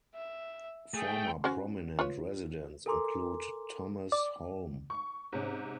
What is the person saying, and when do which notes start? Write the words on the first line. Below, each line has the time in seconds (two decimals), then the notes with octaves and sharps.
Former prominent residents include Thomas Holme.
0.15 E5
0.94 A3 G#4 G5
1.44 C#4 F#4 C5
1.99 F4 B4 C#5
2.86 A4 A#4 G#5 A#5 C6 D6
4.12 D5
4.90 C#6
5.33 G#2 C3 C#4